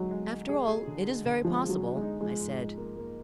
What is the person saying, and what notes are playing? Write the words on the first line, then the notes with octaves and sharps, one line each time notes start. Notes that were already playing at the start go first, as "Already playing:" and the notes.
"After all it is very possible," I said.
Already playing: D3 F#3 G#3 D#4
G#3
G#3
G#4
G#4
D3
G#4
D3
F3 G#3
G#4
F#3
D#4
G#3
D#4
F3 G#3
G#2
D#4
A#3
A#3